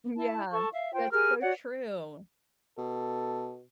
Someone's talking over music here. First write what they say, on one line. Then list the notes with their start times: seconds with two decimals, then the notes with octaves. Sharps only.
Yeah, that's so true.
0.15 E4 A5
0.52 A4 A5 C#6
0.72 E5 F5
0.94 F4 C5 G5
1.12 G4 G#4 A#4 F6
1.41 F#4 C#5 D5 F#5
2.78 B2 A4